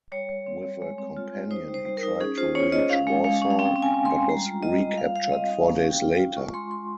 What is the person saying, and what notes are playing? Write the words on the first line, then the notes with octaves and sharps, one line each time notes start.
With a companion he tried to reach Warsaw, but was recaptured four days later.
G3 C#5
G3
C4
G3
G#3
C4
F4
C4
D#4 C5
G3
C5
G3
A#4
D#4
C#4 G#4
F4 C5
C#4 C#5
F4 D#5
C#4 F5
G#3
G#3 F5
C#4
F5
C4 G5
C4
G#5
C4
C6
G#3
G3 A#5
F4
F4 D#5
G3
G3 F5
G3 F5
C4 D#5
D#4 F5
C#4 F5
C#4
G5
F4
F4
F4 C#6
G#3 C6
G#3 C6